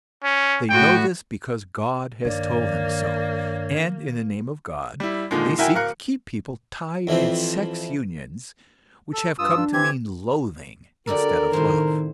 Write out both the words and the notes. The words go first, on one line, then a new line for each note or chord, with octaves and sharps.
They know this because God has told them so, and in the name of God they seek to keep people tied in sex unions which have come to mean loathing instead of love.
C#4
A2 F#4 G5
G2 D#3 A#3 C#5 D5
G3 E4
A#2 D3 D#3 F3 G#3
E4 F#4 A#4 E5 G5 G#5
D1 A#4 F5 F#6 C#7
F2 E3 F3 C4
A4
G2 F4 D#6 E6
D4
E3 C4 G4 G#6
D3 G3 F#4 A4 A#4 D5
A2 C3 D#3 E4 C5